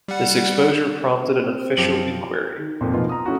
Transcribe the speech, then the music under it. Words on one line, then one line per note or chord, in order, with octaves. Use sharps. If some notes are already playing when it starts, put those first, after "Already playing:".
This exposure prompted an official enquiry.
G3 F#5
C4
F#2 F3 G4
D#3
F2 A#2 C4
B2 F3 A#3 D#4 F4 B4
A#5 D#6
A3 C#4 E4 F#4